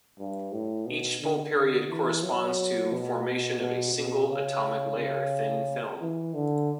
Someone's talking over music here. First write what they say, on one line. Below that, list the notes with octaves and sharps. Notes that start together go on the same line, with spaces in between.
Each full period corresponds to formation of a single atomic layer thin film.
G2
A2
B2
D3
D3
E3
F#3
B2
B2
B2
C#3
C#3
E3
D3